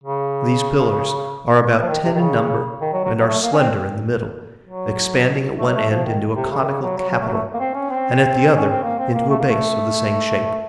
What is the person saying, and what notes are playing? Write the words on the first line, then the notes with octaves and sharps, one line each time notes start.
These pillars are about ten in number and are slender in the middle, expanding at one end into a conical capital and at the other into a base of the same shape.
C#3
F3
D#3
C3
D#3
C#3
D#3
F#3
F#3
F#3
A3
A#3
C#4
C4
F#3
A3
F#3
A3
F3
D#3
C3
C#3
D#3
C#3
F#3
F#3
F#3
A3
F#3
A3
A#3
C4
C#4
C4
C#4
C4
A#3
C4
A#3
A3
A#3
A3